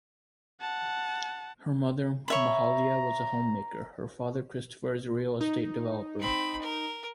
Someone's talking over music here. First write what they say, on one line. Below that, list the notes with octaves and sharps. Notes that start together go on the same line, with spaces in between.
Her mother Mahalia was a homemaker; her father Christopher is a real estate developer.
F#5 A5
C#5 E5 A#5 B5
D#4
C4 B5
A#4